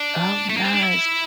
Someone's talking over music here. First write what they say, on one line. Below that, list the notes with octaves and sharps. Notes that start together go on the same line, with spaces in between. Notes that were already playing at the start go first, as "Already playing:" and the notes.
Oh, nice.
Already playing: D4
A3
A#3
C4
D4
E4